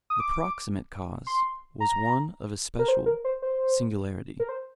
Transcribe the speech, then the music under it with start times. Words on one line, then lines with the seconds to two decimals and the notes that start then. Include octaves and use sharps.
The proximate cause was one of especial singularity.
0.10 D#6
0.20 D6
1.27 C6
1.80 A#5
2.79 A#4
2.88 C5
3.06 A#4
3.24 C5
3.42 C5
4.40 A#4
4.49 C5